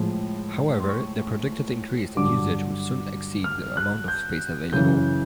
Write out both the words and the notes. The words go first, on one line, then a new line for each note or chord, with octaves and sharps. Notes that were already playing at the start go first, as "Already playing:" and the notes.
However, the projected increase in usage would soon exceed the amount of space available.
Already playing: A2 F3 G#3
C6
C#6
G2 D3 F#3 D6
F6
F#6
G6
F#2 C#3 E3 G6